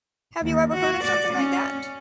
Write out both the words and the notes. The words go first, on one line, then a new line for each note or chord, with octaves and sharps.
Have you ever heard of something like that?
D#2
F#4
D5
C#4